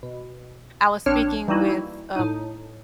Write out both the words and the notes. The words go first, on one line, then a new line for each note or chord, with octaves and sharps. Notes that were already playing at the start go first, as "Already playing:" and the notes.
I was speaking with a
B2
A#1 C4 D4 C#5 F6 E7
E3 G3 A#3 D#4 E4 F#4
A2 D#4